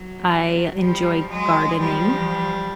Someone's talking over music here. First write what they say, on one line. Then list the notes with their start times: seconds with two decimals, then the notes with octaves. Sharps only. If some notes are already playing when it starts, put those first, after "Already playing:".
I enjoy gardening,
Already playing: F#3
0.79 F3 G3
1.29 F#3 G#3
1.79 F3 G3